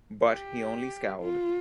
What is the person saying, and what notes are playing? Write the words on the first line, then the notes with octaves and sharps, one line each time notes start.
But he only scowled.
G4
F4